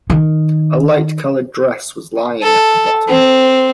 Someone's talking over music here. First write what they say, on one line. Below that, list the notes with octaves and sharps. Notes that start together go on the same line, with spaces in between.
A light-coloured dress was lying at the bottom.
D#3
A4
C4